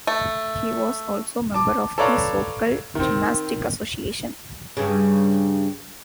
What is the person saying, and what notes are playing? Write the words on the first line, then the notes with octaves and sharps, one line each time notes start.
He was also member of the Sokol gymnastic association.
A3
A5 D6
A4 B4 C#5 D5 F5 A#5
D#3 C4
G2 C#3